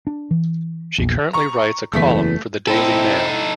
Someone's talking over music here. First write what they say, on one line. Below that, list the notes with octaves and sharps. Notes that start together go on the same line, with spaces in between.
She currently writes a column for the "Daily Mail".
D4
E3
A#1 E2
A#5 C#6
F#1 E2 E3 A3 B6
C4 D#4 E4 A4